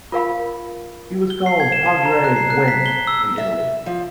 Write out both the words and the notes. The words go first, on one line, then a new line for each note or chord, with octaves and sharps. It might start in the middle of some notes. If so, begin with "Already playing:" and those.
He was called "Padre Boemo" in Italy.
F4 A#4 F5 B5
G7
C7
G#6
E7
A5
A#5
F#6
C7
F#6
B6
G7
E6
E5
F3